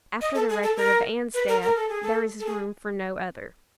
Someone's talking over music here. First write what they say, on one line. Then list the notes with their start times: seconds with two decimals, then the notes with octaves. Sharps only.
After the record of Anne's death, there is room for no other.
0.21 D#5
0.35 A4
0.49 G#4
0.63 A4
0.77 A#4
1.34 B4
1.48 A#4
1.62 A#4
1.76 A4
1.89 G#4
2.02 A4
2.40 A4
2.46 G#4